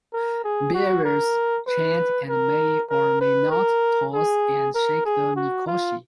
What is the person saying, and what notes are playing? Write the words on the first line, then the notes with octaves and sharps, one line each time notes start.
Bearers chant and may or may not toss and shake the mikoshi.
A#4
G#4
F#4
A#4
B4
A#4
A#4
B4
A#4
G#4
A#4
G#4
F#4
F4